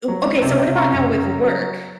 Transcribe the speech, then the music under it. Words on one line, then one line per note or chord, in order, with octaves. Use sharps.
ooh, okay, so what about now with work?
F#3
C#2
C3
C3
C#3 A#5 C#6
F#2
C#3
F#3
F#3
F#3